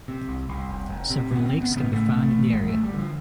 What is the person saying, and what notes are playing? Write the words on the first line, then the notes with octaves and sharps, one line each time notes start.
Several lakes can be found in the area.
C3
C2
C2
F1
F1
C3
G#1 B3
C4
G#1
B3
C#3
B3
A2 A3
A1
A3
A1
G#1 G#3
G#1 A3
G3
D3 F3